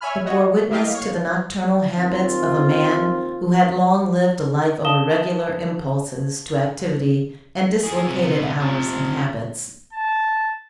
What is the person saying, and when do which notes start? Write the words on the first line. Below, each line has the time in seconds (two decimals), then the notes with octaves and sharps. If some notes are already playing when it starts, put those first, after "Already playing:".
It bore witness to the nocturnal habits of a man who had long lived a life of irregular impulses to activity and dislocated hours and habits.
0.01 C#5 E5 G#5 B5 F6
0.25 F#4 C#5 D#5
0.70 A#3 E4 G4 D#5 F5 G5
0.94 C#5 F5
1.96 D#2 C4 F4
4.85 F5 A5 D#6 E7 G7
7.83 E3 G#4
8.07 C3 B3
8.60 C3 F3
9.93 A5